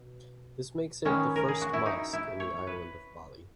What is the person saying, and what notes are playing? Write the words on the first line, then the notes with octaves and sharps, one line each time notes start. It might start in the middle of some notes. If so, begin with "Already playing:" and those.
This makes it the first mosque in the island of Bali.
Already playing: B2
D#3 G#3 B3 C#4
A#4
G#4
F#4
E4
D#4
E4
C#5
B4